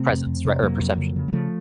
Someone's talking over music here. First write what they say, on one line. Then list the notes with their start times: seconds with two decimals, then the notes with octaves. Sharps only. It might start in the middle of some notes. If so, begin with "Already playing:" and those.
presence, right, or perception
Already playing: C3 A3 C4
0.09 F2
0.27 F2
0.45 C3
0.62 F2 F#3 A#3
0.81 F2
0.98 C#3
1.16 C#3
1.28 F#3
1.33 C#3 F3 A3